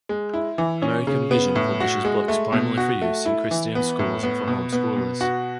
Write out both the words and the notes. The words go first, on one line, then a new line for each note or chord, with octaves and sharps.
American Vision publishes books primarily for use in Christian schools and for home schoolers.
G#3
E4
E3
C#4
C#3
B3
A2
F#4
G#3
A3
B2
F#4
A3
E4
E3
B3
A2
B3
B2
B3
B2
F#4